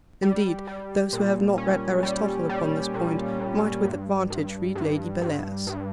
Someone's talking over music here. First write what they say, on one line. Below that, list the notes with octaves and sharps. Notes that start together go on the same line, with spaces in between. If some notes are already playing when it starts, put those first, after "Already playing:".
Indeed, those who have not read Aristotle upon this point might with advantage read Lady Bellairs.
G3
G3
A#2
C#4
G3
G3
A#2
A#2
G2
G2
G2
G2
G2